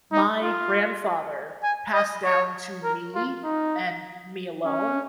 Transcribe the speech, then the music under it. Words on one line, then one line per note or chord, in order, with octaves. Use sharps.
my grandfather passed down to me, and me alone,
D#4
F4
G#5
D#5
C#5
A#4
F4
D#4
C#4